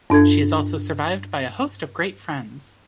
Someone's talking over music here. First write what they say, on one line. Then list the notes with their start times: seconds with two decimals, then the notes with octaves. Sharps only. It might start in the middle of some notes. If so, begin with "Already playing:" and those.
She is also survived by a host of great friends.
0.10 G2 D4 A4 G#6